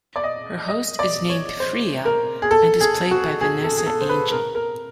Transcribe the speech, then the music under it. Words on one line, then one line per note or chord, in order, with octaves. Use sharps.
Her host is named Freyja, and is played by Vanessa Angel.
D5
D#5
D#5
D5
C#5
C5
A#4
G#4
A4
G#4
F#4
G#4
A4
G#4
A4
C5
B4
A#4
A#4